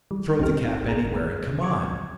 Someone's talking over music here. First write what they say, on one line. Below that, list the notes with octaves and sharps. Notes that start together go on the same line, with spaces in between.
"Throw the cap anywhere and come on!"
E3 G3
A#1 E2 C4 D#4 G4 F6
G1 G#4 A#4 A#5
C#6 D6 G#6